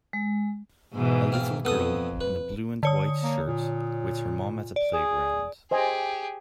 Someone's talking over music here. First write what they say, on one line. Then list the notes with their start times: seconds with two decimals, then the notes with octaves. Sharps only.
A little girl, in a blue and white shirt, with her mom at a playground.
0.13 G#3
0.94 G#2 B2 E3
1.32 C4 F5
1.65 F2 B3 A4 D#6
2.21 B4
2.83 D3 C#5 D#6
3.23 A#3
3.47 A#2
4.76 D5
4.94 G#4
5.71 G4 G#4 C5 D#5 G#5